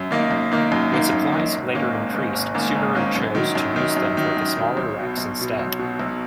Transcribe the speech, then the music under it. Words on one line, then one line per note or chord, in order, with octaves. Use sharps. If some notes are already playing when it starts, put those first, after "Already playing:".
When supplies later increased, Subaru chose to use them for the smaller Rex instead.
Already playing: F#2
D#3 A#3 D#4
F#2
D#3 A#3 D#4
F#2
D#3 A#3 D#4
F#2
D#3 A#3 D#4
G#1
G#2 D#3 A#3 C#4
G#1
G#2 D#3 A#3 C#4
G#1
G#2 D#3 A#3 C#4
G#1
G#2 D#3 A#3 C#4
F#2
D#3 F#3
F#2
D#3 F#3
F#2
D#3 F#3
F#2
D#3 F#3
B1
B2 F#3
B1
B2 F#3
B1
B2 F#3
B1